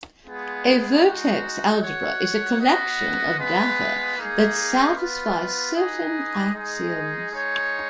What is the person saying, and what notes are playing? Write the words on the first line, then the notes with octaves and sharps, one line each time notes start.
A vertex algebra is a collection of data that satisfy certain axioms.
G#3 B3 F4 G#4
G#3 D#4 F#4
F#4 C#5 F#5
B3 F#4 B4 D#5
G#3 B3 F4 B4
A#3 D#4 G#4
B3 F4 B4
D#4 G#4 B4 D#5
G#3 D#4 G#4 D#5
G#3 D#4 G#4 C#5